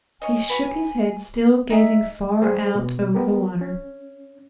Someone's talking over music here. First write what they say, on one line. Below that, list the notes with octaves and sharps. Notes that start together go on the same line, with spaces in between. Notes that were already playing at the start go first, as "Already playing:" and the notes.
He shook his head, still gazing far out over the water.
C#5 D#5 G#5
F#4 B4
D#4 G#4 E5
G3 G#4 C5
B2
B3 G4 A#4
C#4